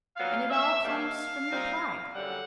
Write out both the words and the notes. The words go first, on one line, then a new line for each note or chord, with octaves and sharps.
And it all comes from your pride.
A#2 F#3 B3 D#4 F5
E5
G#2 D#3 G3 A#3 C#4 F5
A#2 G3 C4 D#4
F#2 D3 G3 F#5